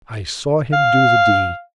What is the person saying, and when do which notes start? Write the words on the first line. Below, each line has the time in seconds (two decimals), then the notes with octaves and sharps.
I saw him do the deed.
0.73 F5